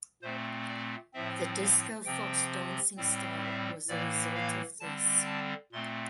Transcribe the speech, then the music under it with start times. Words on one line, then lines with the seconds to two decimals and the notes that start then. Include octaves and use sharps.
The discofox dancing style was a result of this.
0.22 A#2 A3 C4 C5
0.69 D5
1.14 A2 F3 C4 E5
1.60 F5
2.05 C3 F3 C4 G5
2.97 A2 G3 C4
3.43 E5
3.88 A2 E3 A#3 D5
4.34 F5
4.80 D3 G3 C4 A5
5.26 A5
5.72 A#2 A3 C4 C6